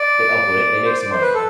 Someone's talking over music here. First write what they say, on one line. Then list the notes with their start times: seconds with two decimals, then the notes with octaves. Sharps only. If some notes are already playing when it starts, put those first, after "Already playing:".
they upload it, they make some money on it.
Already playing: D5
0.85 C5
0.97 D5
1.10 C5
1.21 B4
1.34 A4